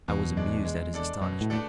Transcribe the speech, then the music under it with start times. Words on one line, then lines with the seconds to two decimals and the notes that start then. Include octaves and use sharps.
I was amused at his astonishment.
0.08 E2 B2
0.37 G#3 D4
0.65 G#3
0.94 D4 A4 D5
1.21 F#2 B2
1.41 A2
1.50 A3 D4 A4